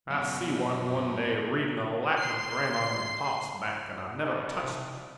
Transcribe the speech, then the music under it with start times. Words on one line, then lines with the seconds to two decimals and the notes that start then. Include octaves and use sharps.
I see one, one day, reading a Latin grammar on hossback, and I never touched him!
0.10 F#2 B2
2.18 C6 C7
4.23 C2 D#4
4.64 C3